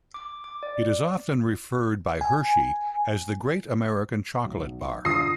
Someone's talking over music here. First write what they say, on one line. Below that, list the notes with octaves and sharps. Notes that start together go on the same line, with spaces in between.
It is often referred by Hershey as The Great American Chocolate Bar.
D6
D6
D5
G#5
B1
D3 F4 D#6 A#6 C7